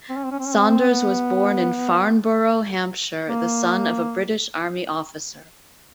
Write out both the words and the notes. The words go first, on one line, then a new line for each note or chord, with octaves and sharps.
Saunders was born in Farnborough, Hampshire, the son of a British Army officer.
C4
C#4
C4
C#4
C4
C#4
C4
B3
A#3